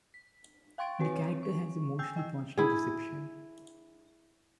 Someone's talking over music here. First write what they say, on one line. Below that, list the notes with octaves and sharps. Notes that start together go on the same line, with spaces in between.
The character has a mostly positive reception.
B6
F5 G5 C6 C#6 A6 D7
C4 F#4 B4 C#5 G#5
C#6
G5 G#5 E6 G6 C7
D#5 G5 E6
E4 G#4